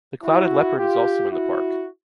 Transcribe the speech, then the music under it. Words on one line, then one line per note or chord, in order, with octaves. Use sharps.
The clouded leopard is also in the park.
E4 F#4
F4 G4
E4 F#4